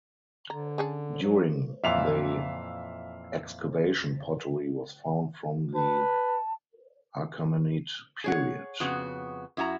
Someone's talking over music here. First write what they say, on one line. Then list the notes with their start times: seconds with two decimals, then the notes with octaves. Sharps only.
During the excavation pottery was found from the Achaemenid period.
0.50 D3 A#5
0.78 C#4 G#4 A4
1.23 F#3
1.84 F2 A#2 E3 E5 F5 F7
5.75 B4 A5
8.24 G#4 C#5 F#5
8.80 F2 C#3 B3 F#4
9.57 F#2 E4 F#4 A5 A#5